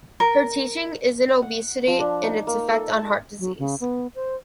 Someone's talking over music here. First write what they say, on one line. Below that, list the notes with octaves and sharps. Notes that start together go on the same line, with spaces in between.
Her teaching is in obesity and its effect on heart disease.
A#4
F#5
F3
D4
D#4
A#3
A4
A5
F#3
C#3
B3
C5